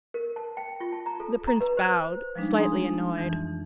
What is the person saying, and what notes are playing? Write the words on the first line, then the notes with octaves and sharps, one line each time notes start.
The prince bowed, slightly annoyed.
A#4
A5
G5
F4
A5
A#5
A4
A#5
B4
C5
C5
F3 G3 G#3 D4 D#4
G#4 G#5 A#5 C6 D#6
F2 E3